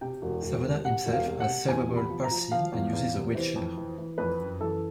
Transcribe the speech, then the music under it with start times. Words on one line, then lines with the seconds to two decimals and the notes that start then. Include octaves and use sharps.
Savona himself has cerebral palsy and uses a wheelchair.
0.01 C3 G5
0.22 E1
0.43 E1
0.64 C3
0.85 C3 F#5
1.06 E1
1.13 F5
1.26 C3
1.40 F#5
1.48 C3
1.68 E2 G#5
1.89 C3
1.96 B5
2.10 F3
2.24 A#5
2.31 F3
2.51 F3 F5
2.72 E2
2.93 E2
3.14 C3
3.35 E3 C5
3.56 F2
3.77 E3
3.98 E3
4.18 F2 B4
4.39 F#1
4.60 E3 A4